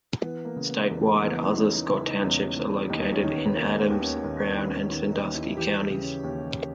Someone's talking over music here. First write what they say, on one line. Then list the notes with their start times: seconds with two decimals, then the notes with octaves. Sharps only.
Statewide, other Scott Townships are located in Adams, Brown, and Sandusky counties.
0.22 E3 B3
0.45 A#3
0.56 C#3
0.68 B3
0.90 E2 A#3
1.23 E2 B3
1.37 E4
1.47 D#4
1.56 E3 C#4
1.73 D#4
1.90 C#3 E4
2.06 D#4
2.23 E2 C#4
2.56 E2
2.89 D#2 D#4
3.12 C#4
3.23 D#3
3.34 B3
3.57 D#3 A#3
3.79 B3
3.90 D#2
4.01 C#4
4.23 D#2 A#3
4.46 B3
4.57 D#3
4.68 C#4
4.90 D#3 B3
5.12 D#4
5.24 D#2
5.35 E4
5.49 E4
5.57 E3 G4
5.79 E4
5.90 C#3
6.02 C#4
6.24 D#2 C#4